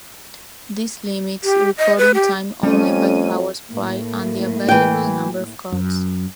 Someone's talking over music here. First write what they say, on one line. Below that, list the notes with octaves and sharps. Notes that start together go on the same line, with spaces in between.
This limits recording time only by power supply and the available number of cards.
G4
D#5
B4
G4
F2 G3 A3 C#4 D#7
A2 A#3
E3 G5
F#2